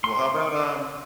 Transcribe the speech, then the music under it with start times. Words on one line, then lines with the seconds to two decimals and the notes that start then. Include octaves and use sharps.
Well, how about, um
0.04 C6